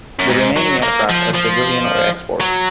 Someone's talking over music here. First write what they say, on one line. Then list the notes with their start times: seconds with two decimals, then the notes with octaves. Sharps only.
The remaining aircraft are civilian or export.
0.19 F#2
0.30 G#2
0.56 F#3
0.82 A#3
1.09 F3
1.35 F3
2.40 F#3